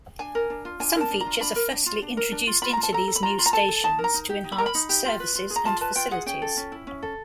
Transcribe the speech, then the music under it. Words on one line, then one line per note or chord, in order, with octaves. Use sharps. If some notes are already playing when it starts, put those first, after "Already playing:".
Some features are firstly introduced into these new stations to enhance services and facilities.
D4 G#5
A#4
D4
F4
D4 G#5
A#4 A5
D4
A#5
F4
D4 B5
A#4
D4
F4
D4
A#4
D4
F4
F4 B5
F4 A#5
A5
A4 A#5
A4
B5
F4 A#5
F4 B5
A#5
A4 A5
A4
D#4 A5
A#4
A#5
D#4
G4
D#4
B5
A#4 A#5
B5
D#4
G4
F4
B4
F4
G#4
A#5
F4 A5
B4 A5
F4 G5
G#4 F#5
C#4 G5
A4
C#4
E4
C#4
A4